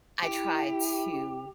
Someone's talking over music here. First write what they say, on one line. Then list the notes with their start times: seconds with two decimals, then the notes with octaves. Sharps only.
I try to
0.23 E4 G4